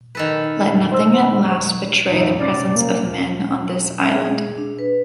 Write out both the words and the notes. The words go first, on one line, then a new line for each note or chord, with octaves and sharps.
Let nothing at last betray the presence of men on this island!
D#3 A4 B4
C5 E6
F2 E3 D#4
C3 C4 C#4 D5
A#3
E5
G#4
D4
B4